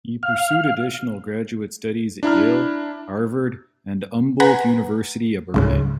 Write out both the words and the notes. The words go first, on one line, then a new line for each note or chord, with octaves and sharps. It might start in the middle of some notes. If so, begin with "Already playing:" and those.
He pursued additional graduate studies at Yale, Harvard, and the Humboldt University of Berlin.
F5
D4 E4 A#5 F6
B4 F#5 G#5 A#5
C#2 G#2 C#3